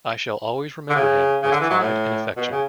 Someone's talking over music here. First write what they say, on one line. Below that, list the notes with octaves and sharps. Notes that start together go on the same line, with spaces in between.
I shall always remember him with pride and affection.
D3
C#3
C#3
D3
E3
F#3
A2
B2
C#3